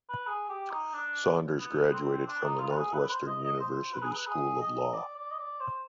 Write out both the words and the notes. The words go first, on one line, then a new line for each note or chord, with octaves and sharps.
Saunders graduated from the Northwestern University School of Law.
B4
G#4
G4
D#4
D4
B3
C4
D4
D#4
F4
B4
G#4
B4
B4
C5
D#5
D#5
C5
B4
G#4
B4
G#4
D#5
D5
D5
D#5
D5
C5